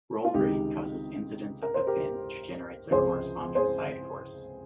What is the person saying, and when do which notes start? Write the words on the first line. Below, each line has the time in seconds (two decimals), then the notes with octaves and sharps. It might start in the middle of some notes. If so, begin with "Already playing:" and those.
Roll rate causes incidence at the fin, which generates a corresponding side force.
0.25 F4
0.34 C#2 C3 D#3 G#3 D#4 G4
1.62 A#4
1.74 C5
1.87 G4 A#4
2.91 C#2 C3 F3 G#4 C5
3.55 G#4 C5